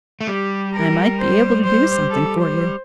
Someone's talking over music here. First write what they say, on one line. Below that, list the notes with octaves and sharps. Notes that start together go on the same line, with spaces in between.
'I might be able to do something for you.
A3
G3 G4
A#4
C5
C5
A4
C5